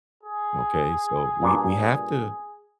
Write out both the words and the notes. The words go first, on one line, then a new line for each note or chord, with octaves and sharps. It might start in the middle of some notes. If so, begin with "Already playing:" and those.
Okay? So we we have to,
G#4
G2 A#2 D4